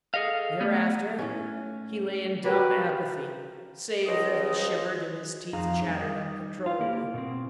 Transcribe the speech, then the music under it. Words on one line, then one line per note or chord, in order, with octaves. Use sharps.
Thereafter he lay in dumb apathy, save that he shivered and his teeth chattered uncontrollably.
G#4 A4 D#5 F5
A3 B3
A2 C#4
F#4 G4 A#4 B4
C#2 F3 D#5
F2 F3 D#4 G#4 F5 A#5
G3 D#4
F4 F5
A#3 E4 G4 A#4
B2 C4